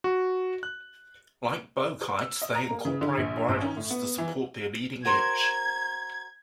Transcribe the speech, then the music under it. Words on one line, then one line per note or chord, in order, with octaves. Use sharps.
Like bow kites, they incorporate bridles to support their leading edge.
F#4
F#6
E6
D#5
A#5
A#3
C#3
D3
A#1
A1
C#4
A2
B3
E3
F#4 A#4 C5 G#6